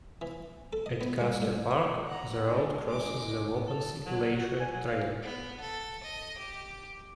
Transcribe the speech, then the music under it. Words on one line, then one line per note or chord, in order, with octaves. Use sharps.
At Custer Park, the route crosses the Wauponsee Glacial Trail.
E3
A4
D#5
B3
G3
A2
D#6
F#5 A#5
G#3 D4
G#3 D6
B3
A4
F#3
F#4
G#5
F#3
F5
B3
A4
D#5
G4